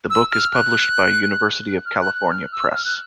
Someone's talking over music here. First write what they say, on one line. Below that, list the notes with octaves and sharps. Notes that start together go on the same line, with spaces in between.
The book is published by University of California Press.
E6
F6
F#6
F6
F#6
F#6
F6
E6
F6
F#6